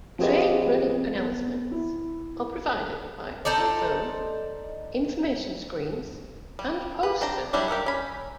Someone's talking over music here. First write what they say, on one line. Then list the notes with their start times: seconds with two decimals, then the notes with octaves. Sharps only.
Train running announcements are provided by telephone, information screens and posters.
0.19 F3 C4 G4 G#4 B4 D#5
1.17 B3
1.72 E4
3.45 D#4 A4 C5 D5
6.59 G3
7.03 B4
7.21 C4 D4 G5 A#5
7.53 F#3 G3 D4 E4 G4
7.68 G4 A#4 E5 F#5
7.86 C#4 B5